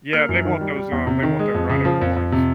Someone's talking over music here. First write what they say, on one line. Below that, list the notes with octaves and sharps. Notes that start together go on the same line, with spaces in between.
Yeah, they want those, um, they want the rhino horns.
A#3 F6
F#2
D#3
G3
G3
E2
C3
D#3
G#3
F2
C#3
F3
F2
F2
C3